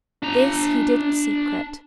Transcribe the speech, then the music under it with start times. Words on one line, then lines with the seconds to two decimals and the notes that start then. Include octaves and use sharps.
This he did in secret.
0.23 D4 A#5